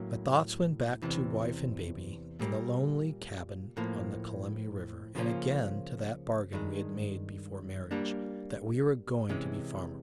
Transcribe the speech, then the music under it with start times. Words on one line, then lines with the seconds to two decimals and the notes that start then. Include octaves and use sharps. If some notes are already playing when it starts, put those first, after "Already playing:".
My thoughts went back to wife and baby in the lonely cabin on the Columbia River, and again to that bargain we had made before marriage, that we were going to be farmers.
Already playing: A2 F#3 A#3 C#4
1.02 E2 C3 E3
2.39 A#2 G3 A#3
3.77 A2 F3 A#3
5.15 C#3 F3 A#3 C#4 F4
6.53 G2 D#3 G#3
7.91 G3 A#3 D4
9.29 C3 E3 G#3 C#4